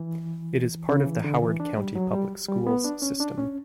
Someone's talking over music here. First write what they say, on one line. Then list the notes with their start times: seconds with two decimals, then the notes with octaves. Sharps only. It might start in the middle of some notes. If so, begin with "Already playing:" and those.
It is part of the Howard County Public Schools system.
Already playing: E3
0.89 C#3
1.06 E3
1.24 D3
1.42 E3
1.60 D4
1.77 G3
1.95 F#3
2.13 G3
2.48 G3
2.67 B3
2.84 D4
3.02 C#4
3.20 D4
3.38 C#4